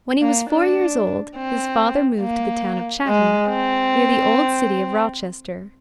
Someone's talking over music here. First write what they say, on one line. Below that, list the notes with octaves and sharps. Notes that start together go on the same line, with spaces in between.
When he was four years old, his father moved to the town of Chatham, near the old city of Rochester.
A#3
D4
C4
A#3
G#3
C4